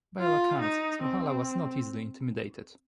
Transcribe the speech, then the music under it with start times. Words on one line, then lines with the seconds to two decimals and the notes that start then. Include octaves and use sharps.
By all accounts, Smohalla was not easily intimidated.
0.20 F4
0.61 D#4
1.03 C4